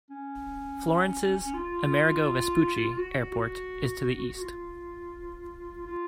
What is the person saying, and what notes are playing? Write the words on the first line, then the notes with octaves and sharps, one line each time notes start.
Florence's "Amerigo Vespucci" airport is to the east.
C#4
F4
F#4
F#4
F4
F4